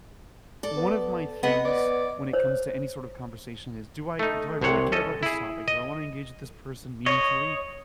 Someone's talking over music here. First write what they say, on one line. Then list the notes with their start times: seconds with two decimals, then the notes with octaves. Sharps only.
One of my things when it comes to any sort of conversation is, do I do I really care about this topic? Do I wanna engage with this person meaningfully?
0.63 A4 D5
0.77 B3
1.43 B3 D#5 F#5
1.65 B3 D5
2.33 C5 C#5
4.19 A3 D#4
4.61 C2 C3 C5 C#5 F#5
4.92 C#4 A4 D#5
5.23 E4 G#4
5.68 D#5
7.06 C#5 D#5